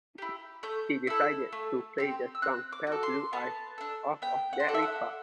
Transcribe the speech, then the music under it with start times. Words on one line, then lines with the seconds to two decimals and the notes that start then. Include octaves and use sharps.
He decides to play the song "Pale Blue Eyes" off of that record.
0.18 E4 G4
0.63 A3 G6
1.07 E4 A4
1.52 A3
1.98 C4 G4
2.35 E6
2.42 C4 F#6
2.72 D6
2.87 F#4 A4
3.03 C6
3.33 B3 A5
3.78 D4 A4
4.22 B3 G5
4.53 F#5
4.60 C5
4.67 D4 F#4 A4 D5
4.74 E5
4.82 F#5